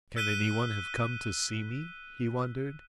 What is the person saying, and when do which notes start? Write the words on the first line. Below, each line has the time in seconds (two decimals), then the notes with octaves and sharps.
"Can anyone have come to see me?" he wondered.
0.16 E6 F#6 B6 D#7 G7